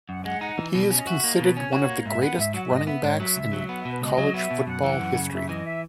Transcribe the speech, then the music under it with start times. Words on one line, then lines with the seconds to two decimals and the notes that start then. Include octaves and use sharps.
He is considered one of the greatest running backs in college football history.
0.09 F#2 F#5
0.25 G#3 F#5
0.41 D#4 F#5
0.58 E3
0.75 B2
0.91 C#4
0.97 D#5
1.07 F#4 E5
1.24 A#3 D#5
1.40 B2 B4
1.56 C#4 C#5
1.73 F#4 C#5
1.89 A#3
2.06 G#2 E5
2.22 B3 F#5
2.38 G#2 E5
2.54 F#3 F#5
2.65 E5
2.71 G#2 D#5
2.86 B3 E5
3.03 G#2 C#5
3.20 F#3 E5
3.36 C#2
3.53 F#3
3.69 B3 F#5
3.80 E5
3.85 B2
3.90 B4
4.02 C#2 D#5
4.18 F#3
4.34 B3 E5
4.51 B2
4.67 F#2 F#5
4.84 E3
5.00 F#2
5.16 C#3
5.32 F#2 E5
5.49 E3 D#5
5.65 E5